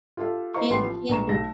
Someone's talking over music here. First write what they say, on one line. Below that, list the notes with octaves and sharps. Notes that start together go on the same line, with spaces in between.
She's she's n
F4 G4 A4 E5 F5
E4 C5 D#5 F5 A#5 C#6
A1 B3 G4 C6
F3
A#1 B4 A#5 C#6 E7
B1 A3 A#6